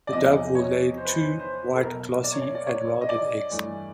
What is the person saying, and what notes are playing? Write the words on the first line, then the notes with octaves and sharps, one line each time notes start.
The dove will lay two, white, glossy and rounded eggs.
D5
E2 C3 F3 D#5
C#5
C5
B4
C5
C5
A4
B2 F#3 A#3 A#4
D5
C#5
D5
D5
C#5
D#5
D5
G2 E3 A3